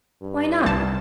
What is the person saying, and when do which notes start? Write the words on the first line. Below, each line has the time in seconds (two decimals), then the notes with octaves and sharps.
Why not?
0.22 G2
0.66 C2 A5